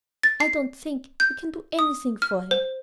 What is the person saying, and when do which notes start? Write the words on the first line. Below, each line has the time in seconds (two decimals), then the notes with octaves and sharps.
"I don't think--we can do anything for him."
0.23 A6
0.40 C7
1.20 G6
1.79 D#6
2.22 F6
2.51 C5